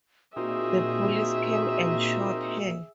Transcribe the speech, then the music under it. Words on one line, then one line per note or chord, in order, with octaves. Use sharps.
The police came and shot her.
A#2 A#3 C4 D#4 F#4 G#4 E5